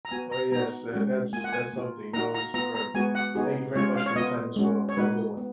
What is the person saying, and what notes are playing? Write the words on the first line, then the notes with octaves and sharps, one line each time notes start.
Oh, yes. That that's that's something, that was incredible. Thank you very much for your time as well. Have a good one.
A#5
B3 F#4 G#5
A#5
B3 D#4 F#4 A#5
G#3 C#4 F#4
A#3 F4 G#5
F#5
G#5
A#3 F4
A#3 D#4 F#4 A#5
A#5
B3 F4 A#5
A#5
G#3 B3 F#4 G#5
F#5
B3 D#4 F#4 G#4
G#3 C#4 F4 C#5
F5
C#5
B3 F4 D#5
G#3 C#4 F#4
C#5
G#3 D#4 F#4 B4
B3